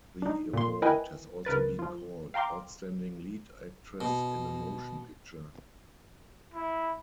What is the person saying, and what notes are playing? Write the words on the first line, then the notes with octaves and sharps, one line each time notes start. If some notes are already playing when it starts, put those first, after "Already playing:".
The award has also been called Outstanding Lead Actress in a Motion Picture.
D4 D#4
A#2 A#3 C6
E4 A#4 B4 D#5 G5 G#5
C#2 A#4 B4 A6
F3 F4
F5 G5 A#5 C6 D6
B2
E4